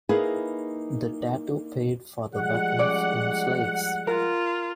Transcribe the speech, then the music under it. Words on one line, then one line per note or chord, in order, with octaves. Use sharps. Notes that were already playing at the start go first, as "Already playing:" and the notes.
The Datu paid for the weapons in slaves.
A#3 D#4 E4 G#4 B4
F3 G3 G#3 F#5
C#4 D5
F4 A#4